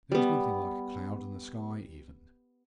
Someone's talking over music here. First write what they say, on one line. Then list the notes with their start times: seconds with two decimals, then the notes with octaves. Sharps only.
There was nothing like a cloud in the sky even.
0.12 G3 B3